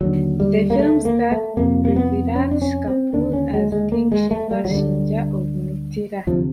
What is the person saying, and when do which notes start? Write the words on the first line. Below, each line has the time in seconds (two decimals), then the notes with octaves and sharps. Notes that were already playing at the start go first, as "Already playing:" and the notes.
The film starred Prithviraj Kapoor as King Shiva Singha of Mithila.
0.01 D#2 D3 F#3
0.40 G3
0.70 A#3
0.79 A3
1.05 A#3
1.32 A3
1.57 F2 C3 A#3
1.85 A#3
1.96 B3
2.36 C#4
2.51 D4
2.62 C#4
2.88 C4
3.13 D#2 D3 D4
3.33 C#4
3.53 G#3
3.72 G#3
3.92 A#3
4.12 G#3
4.31 A3
4.51 G3
4.65 F#3
4.70 D2 D3 G3
6.27 D2 C3 F3